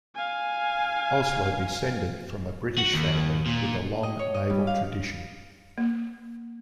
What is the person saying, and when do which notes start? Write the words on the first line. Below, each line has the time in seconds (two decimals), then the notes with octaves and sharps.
Osler descended from a British family with a long naval tradition.
0.15 F5 G#5
2.78 F#4
2.94 D#2
3.47 A#2
4.03 D#5
4.19 C#5
4.34 D#5
4.50 G3
4.67 F5
5.78 A#3